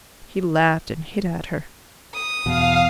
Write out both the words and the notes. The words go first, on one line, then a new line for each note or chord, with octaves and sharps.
He laughed and hit at her.
D#6
E2 B2 F5